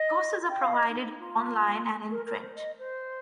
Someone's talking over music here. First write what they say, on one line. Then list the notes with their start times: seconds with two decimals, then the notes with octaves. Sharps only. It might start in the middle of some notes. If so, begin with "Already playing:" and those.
Courses are provided online and in print.
Already playing: D#5
0.49 G5
0.61 F5
0.74 D#5
0.89 D#4
1.04 D#4
1.19 F4
2.10 A#4
2.26 A#4
2.41 C5
2.55 D#5
2.78 C5